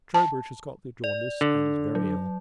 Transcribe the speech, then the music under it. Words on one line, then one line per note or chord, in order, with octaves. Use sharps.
Troubridge has got the jaundice, and is very ill.
A5
D5
D3
F#3